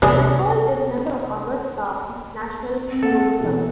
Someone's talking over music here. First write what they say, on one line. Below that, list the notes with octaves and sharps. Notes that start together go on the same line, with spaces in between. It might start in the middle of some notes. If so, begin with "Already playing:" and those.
McColl is member of Augusta National Golf Club.
C3 E3 D4 G#4
C4
A#3 A4 F#5
B2 E3